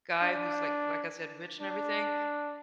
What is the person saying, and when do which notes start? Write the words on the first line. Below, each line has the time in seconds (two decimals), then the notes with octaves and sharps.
guy who's like like, I said, rich and everything.
0.21 D4
1.60 D4